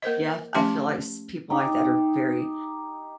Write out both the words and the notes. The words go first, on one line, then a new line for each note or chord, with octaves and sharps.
Yeah, f I feel, like, s people like that are very
A#3 A#4 C5 D#5
F3 A3 C#4 G4 A5 C6
D#4 G4